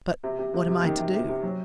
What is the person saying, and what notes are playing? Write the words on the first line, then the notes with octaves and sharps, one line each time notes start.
But--what am I to do?
C3
C3
C3
C3
D#3
C3
C3
C3
F#3